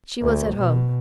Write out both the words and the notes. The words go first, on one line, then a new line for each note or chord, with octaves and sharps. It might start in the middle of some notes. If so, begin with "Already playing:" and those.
She was at home.
D2
B2